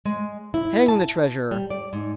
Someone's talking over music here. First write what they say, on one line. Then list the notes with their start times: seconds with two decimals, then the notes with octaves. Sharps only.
Hang the treasure!
0.05 G#3
0.54 E4
0.88 A5
1.51 G3
1.70 D5
1.93 G#2